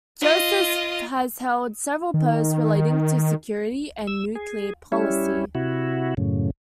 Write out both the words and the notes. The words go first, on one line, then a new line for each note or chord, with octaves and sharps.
Joseph has held several posts relating to security and nuclear policy.
F4 D#5
D#3
E6
G#4
G3 C#4 E4
C3 E4 F#4
F#2 A2 C#3